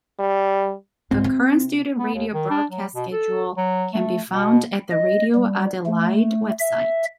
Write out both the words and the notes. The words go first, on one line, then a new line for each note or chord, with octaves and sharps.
The current student radio broadcast schedule can be found at the Radio Adelaide Website.
G3
C#2 G#2 C4
C3
B3
D#2
D#3
D4
F#3
B2
A4
F#3
A3
B2
D#5
G3
A3
E5